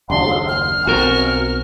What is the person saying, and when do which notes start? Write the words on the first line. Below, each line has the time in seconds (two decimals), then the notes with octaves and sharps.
All of 'em, all of 'em.
0.10 F#1 D#2 D4 C6
0.48 F6
0.87 B1 C4 F#4 A#4